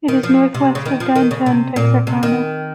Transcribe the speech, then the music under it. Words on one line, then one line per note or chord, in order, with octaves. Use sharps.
It is northwest of downtown Texarkana.
D#3
F3
C3
C#3
D#3
F3
D#3
C#3
C3
A#2
C3
D#3